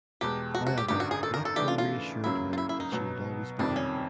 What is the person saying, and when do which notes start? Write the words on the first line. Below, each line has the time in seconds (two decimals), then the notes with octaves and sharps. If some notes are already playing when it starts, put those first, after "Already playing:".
However Luqman reassured her that she would always be happy.
0.21 E2 B2 G#3 G4
0.55 F#4
0.67 F#4
0.78 G4
0.88 G#1 F#2 D3 G4
1.00 F#4
1.11 G#4
1.23 A4
1.34 A#4
1.45 A4
1.56 C#3 E3 A3 D4 G4
1.68 F4
1.78 F4
2.24 C#2 C#3 F#3 A#3 C#4 E4
2.53 F4
2.58 E4
2.69 E4
2.80 D#4
2.92 B2 F#3 B3
3.59 F1 F2 C3 D#3 G3 D4
3.76 C#4